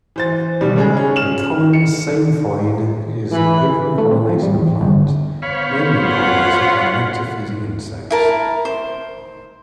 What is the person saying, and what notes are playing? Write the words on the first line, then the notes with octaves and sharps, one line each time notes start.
The common sainfoin is an open pollinating plant, mainly pollinated by nectar feeding insects.
E3 C5 A6
B2 D#3 G3
C#3 G#3 G#4
C#4
F6 E7 F#7
C#7
E3 B4 B5
A3
C4
F3
G3
E2
G1
B3 C5 C#5 F5 B5
F4 F#5
E4 A#4 A5
C5